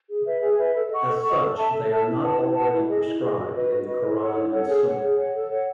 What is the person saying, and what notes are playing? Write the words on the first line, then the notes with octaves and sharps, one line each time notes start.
As such, they are not already prescribed in the Koran and Sunna.
G#4
B4 E5
G#4
B4 E5
A4
D#5 F#5 C#6
A4
D#5 F#5 C#6
A4
E5 A5
A4
E5 A5
E4
B4 F#5 A5
E4
B4 F#5 A5
E4
G#4 D#5
E4
G#4 D#5
F#4
B4 D#5
F#4
B4 D#5
E4
A4 C#5 F#5
E4
A4 C#5 F#5
G#4
C#5 F#5
G#4
C#5 F#5
A4
C#5 F#5